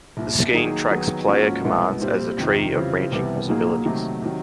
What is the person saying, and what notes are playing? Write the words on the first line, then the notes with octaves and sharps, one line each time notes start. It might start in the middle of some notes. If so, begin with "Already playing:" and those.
The skein tracks player commands as a tree of branching possibilities.
C2 A#2 F3
D#3 F#3 A#3 D#4 G#4
D#3 F#3 B3 D#4 G#4
G#2 F3 A#3 C#4 F#4
C2 B2 G#3 B3 E4
A#2 G3 C4
F2 C3 D#3
C#3 E3 G3 C4 F4
C2 C3 E3 G3 B3
A#2 F#3 A#3 D#4 G#4
C3 D#3 F#3 A3
C3 D#3 F#3